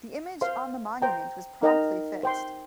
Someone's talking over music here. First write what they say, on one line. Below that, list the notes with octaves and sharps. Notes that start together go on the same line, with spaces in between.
The image on the monument was promptly fixed.
C5 F5 C6
C5 G5 A#5
D#4 A#4 D#5 G5 A#5
C5 G5 C6